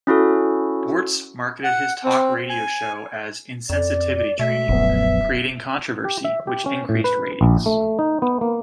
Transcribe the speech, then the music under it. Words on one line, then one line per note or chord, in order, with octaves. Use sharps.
Boortz marketed his talk radio show as "insensitivity training", creating controversy which increased ratings.
C#4 E4 F#4 A4
F#5
C4
G#5
F2 D5
B2 A3 E5
D#1 A#1 F#2 B3
G4
E5
G4
C#4
A2
B4
A#1
A3
D#4
B3
A#3